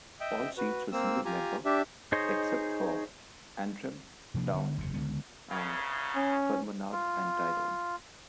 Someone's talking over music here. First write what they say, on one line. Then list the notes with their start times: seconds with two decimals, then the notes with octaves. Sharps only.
All seats were single member, except for Antrim, Down and Fermanagh & Tyrone.
0.20 D#5 E5 G5
0.57 F#4 B4
0.92 A#3 C4 E6
1.25 F4 G4 G#5 A#5
1.65 D4 G4 E5
2.12 D#4 G#4 C5 C#5 D#5
4.34 C3 F3 A#3 D4
4.54 D3 B3
4.78 F#1 E2 C3
4.94 C#2 D3 G#3 B3
5.51 E2 C#3
6.15 C#4
6.92 F4